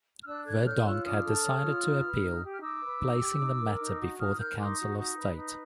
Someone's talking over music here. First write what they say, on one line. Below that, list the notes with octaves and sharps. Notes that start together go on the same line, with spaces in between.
Verdonk had decided to appeal, placing the matter before the Council of State.
F6
D4 E6 F#6
A4 F#6 G#6
C#5 F6 G6
F4 E6 F#6
D4 D#6 F6
A4
C#5
F4
D#4
B4
D#4
G4
F6
D#4 D6 E6
B4
D#4
G4
D#4
A#4
D#4
F#4
D#4 D#6 F6
A#4 F6 G6
D#4 C6 D6
F#4
D#4
B4
D#4